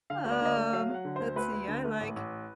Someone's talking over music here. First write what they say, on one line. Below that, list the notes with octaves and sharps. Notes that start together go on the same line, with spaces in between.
Um, let's see, I like
D3 F5
D2
D5
D3 D#5
D5
A3
F#3 F5
F#3 F#5
D3
D2 C5
D2 B4
D2
D3
A3
A1
A1